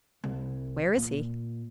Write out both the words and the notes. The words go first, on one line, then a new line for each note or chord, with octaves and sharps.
"Where is he?"
C2
A#2